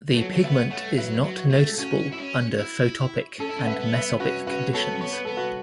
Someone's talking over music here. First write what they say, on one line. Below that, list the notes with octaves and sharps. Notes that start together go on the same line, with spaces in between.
The pigment is not noticeable under photopic and mesopic conditions.
A3 B4
F#3 A4 C#5
F#3
A3 C#5
B3 B4 E5
A3 C#5 F#5
F#3 B4 E5
F#3
F#4
A3
A4
C#4 F#4
E4
C#4
E4
C#4 A4
E4
C#4
F#5
B4 E5
B3
B4 E5
C#4 F#4 B4
C#4 F#4 B4
B3 A4 C#5
C#4
B3 C#5
B4
B3 A4
F#4 B4